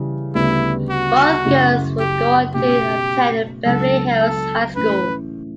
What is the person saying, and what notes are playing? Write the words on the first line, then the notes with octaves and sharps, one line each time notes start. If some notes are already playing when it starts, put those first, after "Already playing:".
Both girls would go on to attend Beverly Hills High School.
Already playing: C#3 E3 G3
D2 C#3 G3 B3 E4
F#4
F#2 C#3 F#3 A3 E4
G4
B2 A3 C#4 F#4 G4
C#2 C#3 F#3 B3 D4 A4
A4
A2 E3 A3 C#4 B4